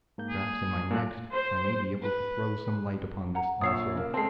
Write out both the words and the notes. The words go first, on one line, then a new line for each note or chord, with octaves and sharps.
Perhaps in my next I may be able to throw some light upon this also.
G#2 A#3 G6
G#4
A#2 A#3 A4 F#6
C5
B4
F#5 A#5
A#1 C#5 D#6 E6 C7
C#3 A#3
G#3 A3 C4 A5 C7